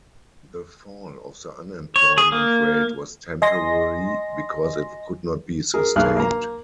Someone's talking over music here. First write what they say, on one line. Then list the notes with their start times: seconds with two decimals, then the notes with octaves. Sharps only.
The fall of the unemployment rate was temporary because it could not be sustained.
1.96 C#5
2.18 G#4
2.32 A#3
3.42 D#5 G#5 C6 A#6
5.74 G#4 A#4
5.96 B1 A#3 G#4 F6 F#6
6.16 A#3 A#5